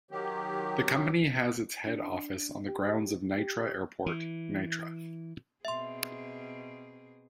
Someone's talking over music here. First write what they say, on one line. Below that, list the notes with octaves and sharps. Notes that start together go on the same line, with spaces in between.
The company has its head office on the grounds of Nitra Airport, Nitra.
D#3 F#3 G4
D4
G4
G4
E3
B2 C4 G#4 E5 C6